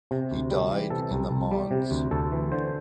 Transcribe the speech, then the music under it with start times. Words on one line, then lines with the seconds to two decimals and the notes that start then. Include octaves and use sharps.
He died in the manse.
0.11 C3
0.31 D2
0.51 G3
0.71 E3
0.90 C3 A4
1.11 C2
1.31 C2
1.51 G3
1.71 C3
1.91 D2
2.11 D2 A4
2.32 E3
2.52 D3 C5